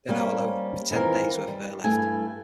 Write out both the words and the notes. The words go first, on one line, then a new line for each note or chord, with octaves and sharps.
They are now alone, with ten days' worth of air left.
G3 A#3 C4 C#4
D#3 E3 C4 F4 A#4
G3
G2 A3 E4 G#5